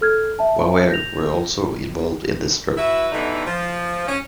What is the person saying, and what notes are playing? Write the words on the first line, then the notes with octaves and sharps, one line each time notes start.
Waware were also involved in this struggle.
A4 F6 G#6
E5 A5
G6 A#6 F7
E4 F#4 B4 E5
B2 D3 E3 G3 A3 D#4
F3
C#4